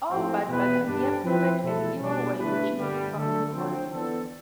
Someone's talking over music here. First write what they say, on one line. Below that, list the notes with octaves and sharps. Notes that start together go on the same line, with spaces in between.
All but Buckner, Probert, and Ewell were originally from New Orleans.
A2 F3 C4
E2 B2 B3 E4 B4
G2 D3 G3 D4
F3 C4 E4 B4
E2 B2 A3 E4 A4
B2 G3 D4
D3 A3 E4 B4
G2 D3 G3
D3 A3 D4 A4
D3 F3 C4
E3 B3 D4 A4